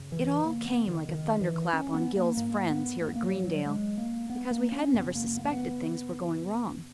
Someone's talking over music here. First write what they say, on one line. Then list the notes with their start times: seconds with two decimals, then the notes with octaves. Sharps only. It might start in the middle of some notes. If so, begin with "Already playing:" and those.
It all came like a thunderclap on Gil's friends here at Greendale, because we hadn't ever suspected things were going wrong.
Already playing: F#2 C#3
0.12 E3
0.45 A#3
0.66 B3
0.87 D#3
1.09 D#3
1.41 E3
1.73 C#4
1.94 B3
2.16 A#3
2.37 G#2 A#3
2.69 B3
3.01 A#3
3.08 B3
3.16 A#3
3.23 F#3
3.44 F#3
3.66 G#3
3.98 A#3
4.30 B3
4.51 A#3
4.72 C#4
4.94 F#2 C#3 B3
5.15 A#3
5.37 B3
5.45 A#3
5.51 B3